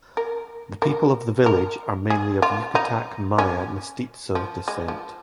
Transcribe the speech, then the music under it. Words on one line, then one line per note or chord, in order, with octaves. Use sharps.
The people of the village are mainly of Yucatec Maya Mestizo Descent.
A#4
A#4
A#4
G#4
F4
D#4
C#4
F3
G#3
F3